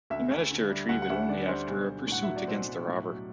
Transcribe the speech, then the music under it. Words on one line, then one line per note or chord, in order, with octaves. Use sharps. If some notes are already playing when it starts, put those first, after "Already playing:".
He managed to retrieve it only after a pursuit against the robber.
D2 E5
D2
D3
G3
D2 F#5
F#5
D2 E5
D3 D5
G3 C5
B1
B1
A2 F#5
F#3 E5
D5
B1 C5
B1
A2
F#3